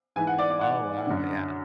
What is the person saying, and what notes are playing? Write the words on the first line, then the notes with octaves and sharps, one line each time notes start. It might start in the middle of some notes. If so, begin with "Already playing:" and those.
Oh, wow, yeah.
G#2 E3 G#5
F#5
D5
D5
F#5
F#2 D3